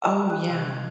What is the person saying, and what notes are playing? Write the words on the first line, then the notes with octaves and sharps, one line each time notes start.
Oh, yeah.
D#5
F#6
C3